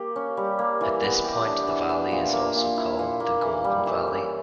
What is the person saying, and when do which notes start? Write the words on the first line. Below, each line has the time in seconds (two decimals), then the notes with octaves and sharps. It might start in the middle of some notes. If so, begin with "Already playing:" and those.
At this point the valley is also called the Golden Valley.
Already playing: A#3 G4
0.16 C#4
0.37 G3
0.59 A#3
0.81 E3
1.03 B3
1.24 G4
1.46 D4
1.68 E3
1.89 B3
2.11 A#2
2.33 A#3
2.55 A#2
2.77 E4
2.99 A#2
3.20 A#3
3.42 E3
3.64 G3
3.86 E3
4.08 C#4